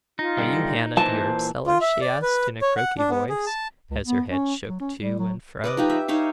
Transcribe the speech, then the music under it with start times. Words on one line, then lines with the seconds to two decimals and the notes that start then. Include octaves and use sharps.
'Are you Hannah the herb seller?' she asked in a croaky voice as her head shook to and fro.
0.19 D#4 F4
0.38 G2 D3
0.97 A#2 E3 C5 A5
1.67 F4
1.81 E5
2.01 D5
2.22 B4
2.62 C#5
2.77 F#5
2.98 D4
3.10 B3
3.29 G#4
3.47 A5
3.91 C#2
4.04 B3
4.30 C#4
4.68 F#3
4.80 C#4
5.01 G3
5.19 F#3
5.64 B4 D5 D#5
5.77 F3 D#4 G4
5.90 E5
6.08 D#4 C#5 E5 F5